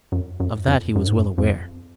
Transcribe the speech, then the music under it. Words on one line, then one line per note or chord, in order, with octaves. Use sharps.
Of that he was well aware.
F#2
F#2
F2
F#2
G#2
F#2
F2